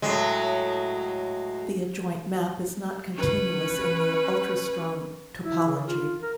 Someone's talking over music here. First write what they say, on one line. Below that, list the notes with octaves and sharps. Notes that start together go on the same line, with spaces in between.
The adjoint map is not continuous in the ultrastrong topology.
A2 F#3 G#3
C#4 B4
E4
C#3
F4
A#4